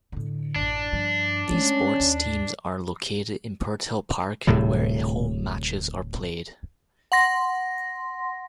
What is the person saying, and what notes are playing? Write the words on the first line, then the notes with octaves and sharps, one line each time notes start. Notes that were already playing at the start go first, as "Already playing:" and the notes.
These sports teams are located in Purtell Park where home matches are played.
A2 D3
A1 F#2 D4
G2 F3
G#3 A3 C#4
D#2
D1 A2 C3 G3
F#5 C6 A#6